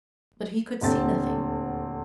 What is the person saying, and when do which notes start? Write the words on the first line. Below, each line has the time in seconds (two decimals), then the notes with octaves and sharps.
But he could see nothing.
0.81 D#1 D2 C4 A6